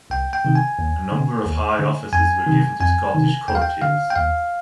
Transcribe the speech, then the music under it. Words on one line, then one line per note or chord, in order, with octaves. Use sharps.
A number of high offices were given to Scottish courtiers.
C2 G5
G5
C3 D#3
G#5
D#2
D3
D#2
D3
F2 G#5
C3 D#3
F2 G#5
C3 D#3
D#2 G5
F5
G5
D3 F5
G5
D#2 F5